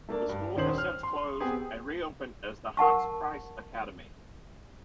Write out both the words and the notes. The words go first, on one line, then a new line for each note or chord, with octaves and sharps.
The school has since closed and re-opened as the Hans Price Academy.
A3 A#3 D4
G2
D#1 D#3 C#4 C5 F#7
F6
C6
B3 C4 G4 G#4
A#4 F#5 A5 C#6